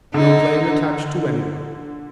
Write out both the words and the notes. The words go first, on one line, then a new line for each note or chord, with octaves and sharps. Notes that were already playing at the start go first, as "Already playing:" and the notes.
No blame attached to anyone.
D3 D#4